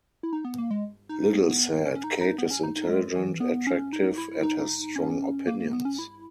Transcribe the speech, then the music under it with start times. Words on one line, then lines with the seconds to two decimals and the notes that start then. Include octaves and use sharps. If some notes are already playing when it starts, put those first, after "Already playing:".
Liddle said: Kate is intelligent, attractive and has strong opinions.
0.23 E4
0.33 D#4
0.45 B3
0.58 A#3
0.71 G#3
1.09 D#4
1.34 B3
1.86 C#4
1.96 C#4
2.04 D#4
2.21 D#4
2.38 B3
2.51 C#4
2.63 D#4
2.76 D#4
2.89 G#3
3.16 E3
3.40 B3
3.67 C#4
3.93 D#4
4.18 E4
4.43 D#4
4.96 C#4
5.47 A#3
5.60 A#3
5.73 B3
5.85 C#4
5.99 E4